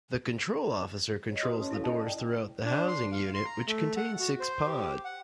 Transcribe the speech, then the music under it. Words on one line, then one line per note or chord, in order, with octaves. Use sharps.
The control officer controls the doors throughout the housing unit, which contains six pods.
C#5 D#5
F#4 B4 D#6
C#4 C#5 A5
E4 A4 F5
D#5 A5
D5 G5 A#5
D4
C6
F5
C6
A#5
A3
F#5
F#4
C5
G4
F#5